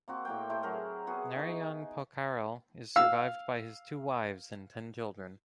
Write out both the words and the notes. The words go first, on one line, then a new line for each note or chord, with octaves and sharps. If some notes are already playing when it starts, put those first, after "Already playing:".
Narayan Pokharel is survived by his two wives and ten children.
A#3 C4 F#4
A2 A#3 G5
A3 E4 G4 C5
F#3 G#4 A#4
B3 F#4 G#4
D#4 B4
F5 E6